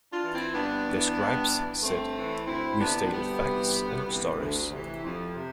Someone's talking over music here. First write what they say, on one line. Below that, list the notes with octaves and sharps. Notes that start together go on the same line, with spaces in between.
The scribes said: We stated facts in our stories.
D4 F4
E3
C4 E4
G2 B3 D4
E3
G2
E3
G2 A3 C4
E3
D2 C4 E4
C3 E3 B3 D4
C4
D2 G3 B3
C3 E3
D2
C3 E3
D2
C3 E3
F2
C3